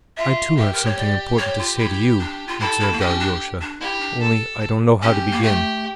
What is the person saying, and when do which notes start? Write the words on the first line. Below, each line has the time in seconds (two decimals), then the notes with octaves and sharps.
"I too have something important to say to you," observed Alyosha, "only I don't know how to begin."
0.17 F4 E5
0.57 G4 E5
0.73 A#4
0.85 C#5
0.97 D5
1.38 C#5
1.59 F4
1.78 E4
2.19 D4
2.48 F4
2.60 E4 A4
2.80 E4
2.93 A#3
2.99 C#4 G4
3.20 D4
3.61 D4
3.80 E4 G4
4.00 D4
4.21 A4
5.01 C#4 G4
5.32 A#3
5.43 A3 G4